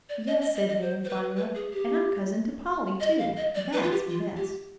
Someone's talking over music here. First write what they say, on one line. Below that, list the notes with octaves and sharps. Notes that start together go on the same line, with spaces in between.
"Yes," said Van, flying up, "and I'm cousin to Polly, too--that's best!"
D5
D#5
D#5
D#5
D#5
C5
C5
B4
B4
G#4
G4
D#5
F5
D#5
D5
B4
F4
G4
F4
G4